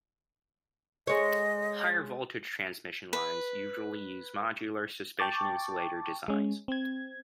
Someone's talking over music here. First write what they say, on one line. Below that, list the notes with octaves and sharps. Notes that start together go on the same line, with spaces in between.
Higher voltage transmission lines usually use modular suspension insulator designs.
G#3 C#5 D#5
B4
G5 A5 C#6 D6 A6
G#3 C#4
C4 G#6